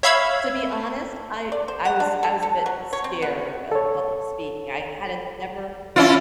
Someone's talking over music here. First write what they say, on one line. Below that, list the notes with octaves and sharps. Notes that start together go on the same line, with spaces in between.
to be honest, I I was I was a bit scared of public speaking, I hadn't never
C#5 E5 F5 B5 E6 G#6
D5
C5
F#5
D4
A4
A4
F#3
C#5
C4
B3
A4 C#5
C#4 E4 F4